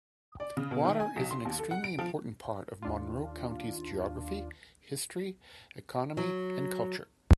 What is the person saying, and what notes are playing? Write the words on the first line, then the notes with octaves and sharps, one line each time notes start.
Water is an extremely important part of Monroe County's geography, history, economy, and culture.
D5
C#3
B2
D#3
G#5
B1
C6
D#2
A4
F#5
D7
F3
D#2 D4 F4
F#3